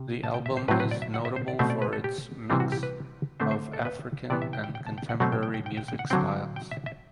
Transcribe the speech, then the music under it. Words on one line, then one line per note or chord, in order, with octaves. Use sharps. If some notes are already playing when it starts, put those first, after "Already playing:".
The album is notable for its mix of African and contemporary music styles.
Already playing: C3
A5
G5
E5
C5
A2 F#3 C4 B4
B4
D5
E5
F#5
E5
C5
D5
B2 A3 C4 E5
D5
B4
A4
G4
C3 E3 G3 C4 D4
F#4
G4
B4
D3 A3 C4 C5
C5
A4
B4
C3 E3 B3 D5
E5
G5
G5
G5
A5
G5
F#5
B2 F#3 A3 C4 F#5
G5
G5
G5
G5
G5
G5
F#5
D3 F#3 C4 G5
G5
E5
E5